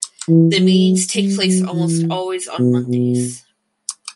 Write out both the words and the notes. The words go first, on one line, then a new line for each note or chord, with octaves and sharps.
The meetings take place almost always on Mondays.
E3
F#3
G3
F#3
E3
B2
B2